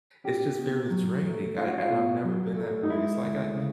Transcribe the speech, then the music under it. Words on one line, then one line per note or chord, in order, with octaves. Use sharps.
it's just very draining. I and I've never been that way. It's like I
C#4 G4
B2
F#3
A3
C#4 F4
F#4
F4
B2
F#3
A3
D#4
G#3 E4
D2
C#3